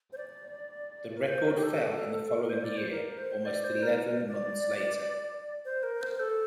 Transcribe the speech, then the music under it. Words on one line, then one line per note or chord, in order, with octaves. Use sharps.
The record fell in the following year, almost eleven months later.
C5
D5
A#4
C5
A#4
G4
A4
A#4
C5
D5
C5
A#4
C5
D5
C5
A#4
D5
C5
A#4
C5
A4